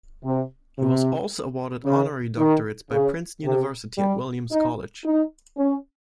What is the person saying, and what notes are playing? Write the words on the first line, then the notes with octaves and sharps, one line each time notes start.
He was also awarded honorary doctorates by Princeton University and Williams College.
C3
C3
C#3
D#3
C#3
C3
G3
D#4
D#4
C#4